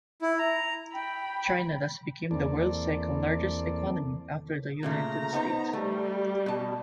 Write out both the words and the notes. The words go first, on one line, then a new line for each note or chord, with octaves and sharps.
China thus became the world's second-largest economy after the United States.
E4
A#5
G5 B5
E2 A#3 C4 A4 D5
A#2 C#3 A3 A#5
B3 D#4 C5
G3 A3
B2 A5